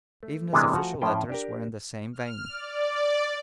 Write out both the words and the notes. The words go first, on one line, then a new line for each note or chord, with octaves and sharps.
Even his official letters were in the same vein.
A3
C3 E3 G#3 A#3 B3 D4
F3 A3 F#4 G#5 A#5
A2 F3 C#4 F4 G5
D4 G4 A#4
F6
D5